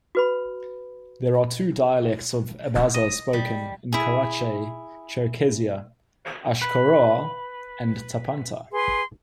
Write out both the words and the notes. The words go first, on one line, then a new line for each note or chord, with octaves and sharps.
There are two dialects of Abaza spoken in Karachay-Cherkessia: "Ashkharua" and "Tapanta".
F#4 B4 B5
D#5
G3
E4 G#4
B4
G#4 B4 C6